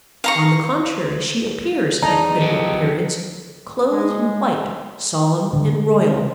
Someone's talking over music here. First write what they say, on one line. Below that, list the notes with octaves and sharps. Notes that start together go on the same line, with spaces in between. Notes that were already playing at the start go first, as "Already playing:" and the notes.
On the contrary, she appears at critical periods, clothed in white, solemn and royal.
F5 A#5 C#6
E2 D#4 A5 A#5
F3 F#3 G4
G#3
D3